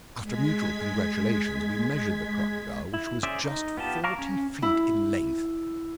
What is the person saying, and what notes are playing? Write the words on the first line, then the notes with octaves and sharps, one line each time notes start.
After mutual congratulations, we measured the crocodile, which was just forty feet in length.
G#3 G#6 B6
E4
C#4 G#4 C5 D5 E5
D#4
B3 F4 G4 A5
F5 A5 A#5 C#6 D6
C#4
E4